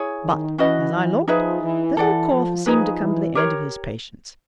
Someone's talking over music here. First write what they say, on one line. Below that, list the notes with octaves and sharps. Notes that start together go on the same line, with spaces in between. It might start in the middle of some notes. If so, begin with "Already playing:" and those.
But as I looked little Kauf seemed to come to the end of his patience.
Already playing: E4 G#4 C#5
D#3
E3 C#4 F#4 B4 D#5
F3 D#4 G#4 B4 E5
E3
E3 A4 D5 F#5
F3
F3 D#4 G#4 B4
E3
G4 A#4 C#5